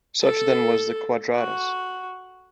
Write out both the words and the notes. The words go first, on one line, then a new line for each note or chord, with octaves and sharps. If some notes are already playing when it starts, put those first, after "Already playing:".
Such then was Quadratus.
A4
F#4